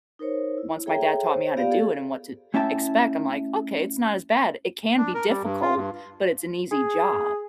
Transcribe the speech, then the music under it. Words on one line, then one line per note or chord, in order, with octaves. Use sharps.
once my dad taught me how to do it, and what to expect, I'm like, "Okay, it's not as bad. It can be difficult, but it's an easy job."
D#4 A#4 C5 C#5
E4
G#4 A4 C#5 E5 G5 A#5
C5 C#5
B3 F4 G4 D5 F5
G#4 A4
A3 C#4 E4 E5 G5 A5
D4
A#4
G3
G2
F4
G2
G#4